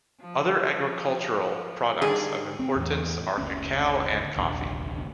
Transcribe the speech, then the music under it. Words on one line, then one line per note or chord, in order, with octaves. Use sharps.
Other agricultural products of importance are cacao and coffee.
F3
D3 D#3 G3 G#4
C4
E2 A2 E3
F#1 D2 C#4
F1 A#1 D#2 D3